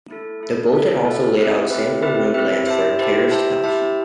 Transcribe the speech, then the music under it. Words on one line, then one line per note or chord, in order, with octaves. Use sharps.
The bulletin also laid out sample room plans for a terraced house.
A3 E4 A4
A3 E4 A4
A3 E4 A4
A3 E4 A4
C4 E4 G4 B4 E5
C4 E4 G4 B4 E5
C4 E4 G4 B4 E5
C4 E4 G4 B4 E5
E4 G4 C5 E5 A5
E4 G4 C5 E5 A5
E4 G4 C5 E5 A5
E4 G4 C5 E5 A5